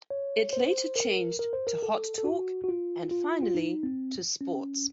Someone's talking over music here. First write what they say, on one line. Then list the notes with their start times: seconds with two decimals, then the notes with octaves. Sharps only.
It later changed to Hot Talk, and finally, to Sports.
0.10 C#5
0.53 C5
0.96 A#4
1.39 A#4
1.53 C5
1.67 A#4
1.83 A4
2.18 A4
2.25 F#4
2.64 F#4
2.69 F4
3.11 F4
3.43 F4
3.55 D#4
3.83 C4
4.41 C#4